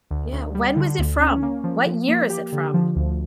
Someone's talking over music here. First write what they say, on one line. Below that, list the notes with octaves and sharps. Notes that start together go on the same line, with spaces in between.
yeah, when was it from? What year is it from?
D2
D2
G3
D3
D2
C#4
A#3
F3
F3
A#3
G4
D3
F3
D2